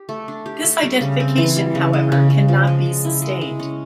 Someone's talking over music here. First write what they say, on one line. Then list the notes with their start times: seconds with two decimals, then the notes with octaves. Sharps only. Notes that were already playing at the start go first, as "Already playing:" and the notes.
This identification, however, cannot be sustained.
Already playing: G4
0.09 A3
0.28 D4
0.46 G4
0.64 A3
0.83 G3
1.01 C#3
1.20 C4
1.38 E3
1.56 G3
1.75 C#3
1.93 G#3
2.12 C#3
2.30 C#3
2.48 F3
2.67 G#3
2.86 C#3
3.05 E4
3.22 G#3
3.41 G#3
3.60 C#4